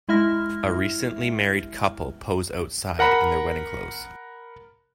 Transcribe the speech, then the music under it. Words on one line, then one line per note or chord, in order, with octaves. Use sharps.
A recently married couple pose outside in their wedding clothes.
G#3 E4 E5 F6 A#6
A#4 F#5 A#5 B5